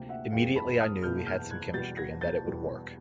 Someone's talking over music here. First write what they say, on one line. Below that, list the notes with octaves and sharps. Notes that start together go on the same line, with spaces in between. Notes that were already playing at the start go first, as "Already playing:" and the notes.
Immediately, I knew we had some chemistry and that it would work.
Already playing: D2 C3 F3 A#3 G5
E5 F#5
F#1 E2 B2 G#3 F5 G5
A5 B5
D#6 F6
F#1 E2 B2 G#3 F6 G6
F6 G6
F#6 G#6
E2 B2 G3 G6 A6
G#6 A#6
G6 A6
E2 B2 G3